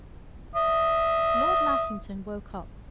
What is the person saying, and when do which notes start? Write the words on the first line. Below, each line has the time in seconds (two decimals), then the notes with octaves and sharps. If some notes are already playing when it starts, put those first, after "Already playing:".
Lord Lackington woke up.
0.56 E5 D#6